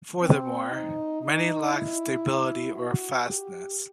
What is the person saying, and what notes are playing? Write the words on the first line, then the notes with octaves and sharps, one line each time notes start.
Furthermore, many lacked stability, or fastness.
C4
D#4
D#4
E4
F#4
G4